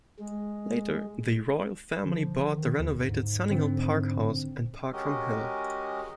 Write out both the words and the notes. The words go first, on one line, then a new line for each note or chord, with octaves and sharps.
Later the Royal Family bought the renovated Sunninghill Park house and park from Hill.
G#3
D3 F3
D#3
D#2
G#2
D3 C4 D4
G#3 C#4 F#4 G4 A#4 D#5